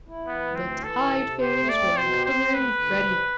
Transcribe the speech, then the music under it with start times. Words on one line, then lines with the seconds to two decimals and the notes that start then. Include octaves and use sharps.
The Tide Fairies were uncovering Freddy!
0.08 E4
0.27 E3 B3
0.46 D2
0.55 C4
0.65 E3
0.83 E3 A4
1.03 C3
1.22 C3
1.40 G4 C5
1.59 A3
1.69 D5
1.78 C4
1.97 B2 C5
2.15 G4
2.25 C5
2.35 C4
2.53 D2 B4
2.72 D2
2.92 C3
3.10 G3